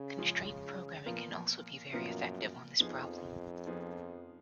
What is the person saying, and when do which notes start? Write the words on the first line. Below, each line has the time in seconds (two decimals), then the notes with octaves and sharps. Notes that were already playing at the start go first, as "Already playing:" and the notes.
Constraint programming can also be very effective on this problem.
Already playing: C#3 C#4
0.18 F3 G#3 C#4 G#4
1.06 A#2 F3 B3 F4 A#4
1.93 F#2 A#2 F3 B3 F4 A#4
2.80 F2 F3 B3 D#4 G#4
3.67 F3 B3 D#4 G#4